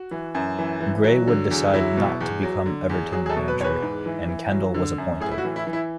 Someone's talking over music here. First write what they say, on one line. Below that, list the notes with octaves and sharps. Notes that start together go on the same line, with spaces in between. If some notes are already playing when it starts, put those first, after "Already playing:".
Gray would decide not to become Everton manager and Kendall was appointed.
Already playing: F#4
E3
F#2
E3
E3
F#3
D3
E2
F#3 E4
B2
E2
F#3
D3
E2
F#3 G#4
G#4
A4
B2
B4
E2 B4 C#5
G#2
E3
E3
F#3
D3
F#2
A2 G#4
E4
F#4
E3
E4
E3
E4